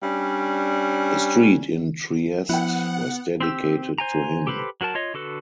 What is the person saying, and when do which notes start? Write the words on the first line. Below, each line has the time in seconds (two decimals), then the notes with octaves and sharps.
A street in Trieste was dedicated to him.
0.03 G3 C#4 D4
2.49 F3 B3 E4 F#5 G5
3.40 C4 G4 E6
3.98 C5 G#5 A#5
4.47 G4 A4 B4 C5
4.81 F#3 F#4 A#4 A5
4.95 F4 C#5 D#5
5.14 D3 F#4 A4 B4